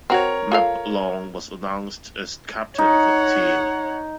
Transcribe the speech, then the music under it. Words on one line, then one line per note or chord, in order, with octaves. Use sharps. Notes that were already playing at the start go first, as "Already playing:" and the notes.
Meb Long was announced as captain for the team.
C4 F#4 A#4 C#5
F4 A4 F5
D#4 C#5 F#5